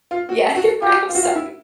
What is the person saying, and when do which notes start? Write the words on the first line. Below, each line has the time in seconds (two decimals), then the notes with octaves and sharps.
Yeah, you're right, I'm sorry.
0.11 F4
0.29 F#4
0.55 F#4
0.82 F4 G4
1.09 F4
1.15 F#4
1.23 F4
1.35 E4